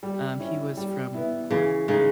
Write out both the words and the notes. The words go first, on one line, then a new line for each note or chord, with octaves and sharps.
um, he was from Cork.
G3
C#4 E4
G3
B3 E4
C#3 E3
C#3 G#3 D#4